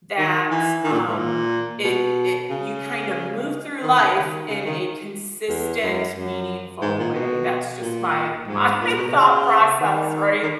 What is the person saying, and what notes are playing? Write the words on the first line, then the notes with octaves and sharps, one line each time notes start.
that, um, it it you kinda move through life in a consistent, meaningful way. That's just my my thought process, right?
D#3
E3
D#3
A#2
G#2
A#2
B2
C#3
D#3
C#3
D#3
C#3
D#3
E2
F#2
F#2
G#2
A#2
B2
A#2
G#2
A#2
B2
B2
C#3
D#3
D#3